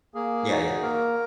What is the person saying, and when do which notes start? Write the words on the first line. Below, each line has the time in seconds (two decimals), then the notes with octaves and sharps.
Yeah, yeah.
0.14 A#3 G#4
0.49 D#4 F#4
0.81 A#3 A#4